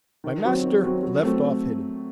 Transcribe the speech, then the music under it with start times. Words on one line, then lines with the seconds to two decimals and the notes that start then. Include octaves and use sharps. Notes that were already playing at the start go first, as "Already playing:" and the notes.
My master left off hitting me.
0.24 D#3
0.44 F#3 C4 F#4
0.63 D#3
0.82 F#3 C4 F#4
1.03 F#3
1.22 A3 C4 F#4